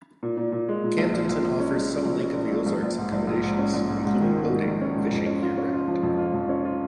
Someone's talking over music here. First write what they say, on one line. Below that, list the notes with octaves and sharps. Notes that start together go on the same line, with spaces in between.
Camdenton offers some Lake of the Ozarks accommodations, including boating and fishing year-round.
A#2
A#2
A#2
G#3
A#2
A#1
A#1
A#1
A#1
C#4
G#3
G#3
A#1
C#4
A#2
A#1
A#1
A#1
G#2
A#1
A#1
G#2
C#4
A#1
G#2
G#2
D#3
G#2
G#2
A#1
C#4
G#2
F2
C#4
F4
C#4
F4
F3
F2
F4
F2
C#4
F4